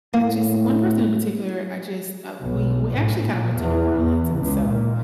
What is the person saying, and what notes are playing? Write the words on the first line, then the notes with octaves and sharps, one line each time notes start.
I just one person in particular, I just, uh we we actually kinda went to New Orleans and so,
A2 A#3
B1
A2
A#2
E2
E2
C#2
A#2